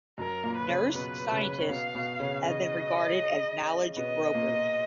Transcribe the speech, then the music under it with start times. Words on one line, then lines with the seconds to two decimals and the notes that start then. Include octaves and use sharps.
Nurse scientists have been regarded as knowledge brokers.
0.18 F#2 F#3 A#4
0.44 A#2 A#3
0.56 B4
0.69 C#3 C#4
0.94 B2 B3 B4
1.32 C#3 C#4
1.59 C#4
1.69 B2 B3 F5
1.95 B2 B3
2.20 C#3 C#4
2.45 C#3 C#4 D#5
3.96 B2 B3 D#5
4.34 A#2 A#3